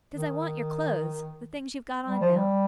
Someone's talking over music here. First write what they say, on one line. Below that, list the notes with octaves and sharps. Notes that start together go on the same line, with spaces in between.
'Because I want your clothes--the things you've got on now.
D#3
G3
F3
G3